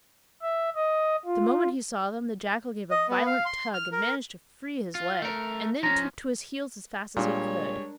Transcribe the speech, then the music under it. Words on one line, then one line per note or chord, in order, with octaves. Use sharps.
The moment he saw them, the jackal gave a violent tug, and managed to free his leg, and then took to his heels as fast as he could.
E5
D#5
F4
D#5
B3
F5
C6
F6
A#4
F4
A3 A#4
F3 C#4 A#5
A#2 G3 G#3 D4 A#4 C#5